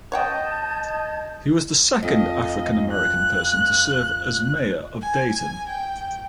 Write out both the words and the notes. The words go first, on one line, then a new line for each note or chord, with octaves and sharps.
He was the second African-American person to serve as mayor of Dayton.
C#5 D#5 F#5 G5 A5 G6 G#6
F2 D#5
F#6
G#5
G#5
G5